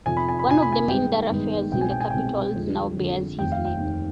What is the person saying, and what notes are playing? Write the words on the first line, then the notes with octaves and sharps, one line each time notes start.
One of the main thoroughfares in the capital now bears his name.
F2 C3 F3 G#5
B5
G#5
B5
F2 C3 F3 G#5
B5
G#5
G2 D#3 G#3 B3 G5
G2 D#3 G#3 B3
C2 B2 G#3 C4 G5
G#5
G5
G#5
C2 B2 G#3 C4 G5
F2 D3 G#3
F2 D3 G#3
F1 D#2 D#3 G5
F5
G5
F1 D#2 D#3